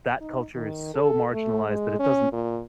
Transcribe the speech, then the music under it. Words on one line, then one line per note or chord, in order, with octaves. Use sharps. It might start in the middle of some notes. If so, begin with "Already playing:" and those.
that culture is so marginalized that it doesn't
D#4
D#3
A4
A3
G#3
C#4
A#2